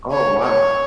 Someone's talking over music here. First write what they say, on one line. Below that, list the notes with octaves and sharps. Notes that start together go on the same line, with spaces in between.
Oh, wow.
C#5
C#5